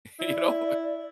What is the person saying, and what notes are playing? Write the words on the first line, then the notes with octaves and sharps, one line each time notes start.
you know?
E4 D5